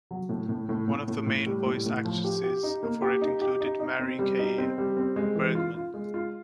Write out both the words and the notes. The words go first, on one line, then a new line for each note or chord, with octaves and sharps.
One of the main voice actresses for it included Mary Kay Bergman.
F#3
A2
A2
A2
A2
A2
A2
G3
A2
A2
F3
G4
G4
D#4
A#3
G4
D#4
G4
D#4
D#4
C4
G3
D#4
C4
G3
C4
G#3
E3
F4
F4
G#3
F4